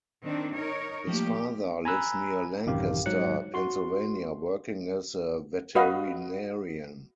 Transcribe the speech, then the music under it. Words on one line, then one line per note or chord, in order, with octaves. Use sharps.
His father lives near Lancaster, Pennsylvania working as a veterinarian.
D#3 C4 D4
D#4 A#4 C#5
F3 A3 A#3 G4
G#5 A#5 B5 E6 F#6
A1 F#2 C3 D#3 G4 F5
G#2 F#3 F#6 C#7
F#4 C6
F#4 B4 D#5 F5